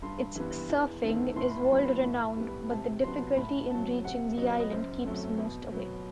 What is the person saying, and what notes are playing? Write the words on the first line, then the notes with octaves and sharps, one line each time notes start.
Its surfing is world-renowned, but the difficulty in reaching the island keeps most away.
G2 C6
E3 G3 B3
E2
D#3 A3 C4
A2 C6
B5
A5
F#3 B3
B5
A2
G3 B3
C3 A5
F#3 B3 C6
A2 B5
F#3 C4 A5
C3 F#5
F#3 B3 D#5
D#5
F#2 C5
F#3 A3 C4
B2
F#3 B3